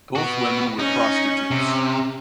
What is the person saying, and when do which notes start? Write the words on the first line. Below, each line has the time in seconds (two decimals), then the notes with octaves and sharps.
Both women were prostitutes.
0.15 B3 F#4
0.79 C#4 D#4
1.51 C3